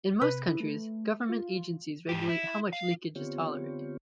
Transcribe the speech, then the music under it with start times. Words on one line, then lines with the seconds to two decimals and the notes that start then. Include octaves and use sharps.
In most countries, government agencies regulate how much leakage is tolerated.
0.21 C3 B4
0.49 E4
0.60 A3
1.29 F4
2.09 G#2 G4
2.29 E4
2.73 F5
3.15 D3 B3 C4 F4 G4 C#5